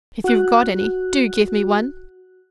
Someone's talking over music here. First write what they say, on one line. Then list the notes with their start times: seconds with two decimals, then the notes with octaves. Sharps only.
If you've got any, do give me one!'
0.24 F#4 F#6